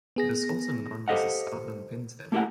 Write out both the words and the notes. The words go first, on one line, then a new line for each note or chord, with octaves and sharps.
It is also known as the southern pintail.
B3 G#4 A#6
G4 A4 C5 D#5 F5 F#5
A3 A#3 E4 G4 A#4 F#5